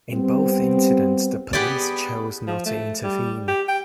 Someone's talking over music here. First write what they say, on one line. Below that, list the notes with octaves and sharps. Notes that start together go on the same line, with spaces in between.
In both incidents the police chose not to intervene.
G3 B3 C4
B3 G4 G#4 D5
F3
A3
G3
G4
G5